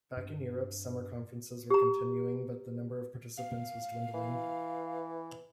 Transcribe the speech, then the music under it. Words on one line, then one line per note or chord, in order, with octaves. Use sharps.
Back in Europe, summer conferences were continuing but the number of participants was dwindling.
G2
G4 A#5
F5
E3